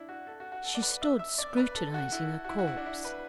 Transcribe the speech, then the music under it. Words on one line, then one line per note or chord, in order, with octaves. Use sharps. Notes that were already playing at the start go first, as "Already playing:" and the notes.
She stood scrutinising a corpse.
Already playing: D4 E4
F#4
A4
F#4
F#4
A4
D5
B4
E5
E5
D5
B4
A4
F#4
E4
F#4
E4
F#4
E4
D4
E4
B4